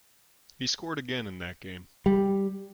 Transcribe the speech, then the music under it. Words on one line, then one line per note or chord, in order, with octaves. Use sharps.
He scored again in that game.
G3